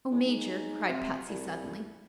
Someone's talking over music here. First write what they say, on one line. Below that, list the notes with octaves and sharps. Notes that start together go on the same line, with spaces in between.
"Oh, Major!" cried Patsy, suddenly.
E2
G#2
C3
C2